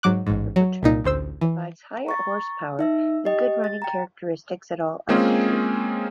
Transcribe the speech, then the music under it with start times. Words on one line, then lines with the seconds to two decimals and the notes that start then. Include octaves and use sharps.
Turbocharging provides higher horsepower and good running characteristics at all altitudes.
0.03 G#2 F#3 D6 F#6
0.27 A1 G#2
0.56 F#3
0.83 C2 A#2 D#4
1.04 A1 D2 C5 E6
1.41 E3
2.06 A#5 C#6 A6
2.79 D#4 E5 E6
3.25 G4 D#5 G5
3.64 A6
3.82 G5 A#5
5.09 G#3 A#3 C4 C#4 F4 G#4